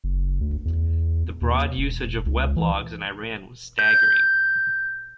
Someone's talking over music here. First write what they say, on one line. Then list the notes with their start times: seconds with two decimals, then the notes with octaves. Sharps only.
The broad usage of weblogs in Iran was staggering.
0.04 F#1
0.41 D2
0.65 E2
1.42 D#2
1.78 E1
2.26 C#2
2.56 E3
3.79 G6